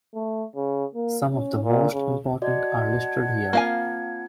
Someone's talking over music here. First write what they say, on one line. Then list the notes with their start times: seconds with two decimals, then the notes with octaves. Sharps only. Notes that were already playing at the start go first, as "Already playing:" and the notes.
Some of the most important are listed here.
0.15 A3
0.56 C#3
0.95 A#3
1.31 C#4
1.64 A#2
1.92 C#3
2.42 F#4 D5 D#5 F#5 A5 G#6
3.53 A#3 C4 F4 F5 G#5